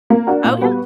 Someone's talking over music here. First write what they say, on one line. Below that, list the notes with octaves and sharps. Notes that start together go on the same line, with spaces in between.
Oh, yeah.
A#3
D4 F#4 A#4
A#2
G3 B3 F#4 B4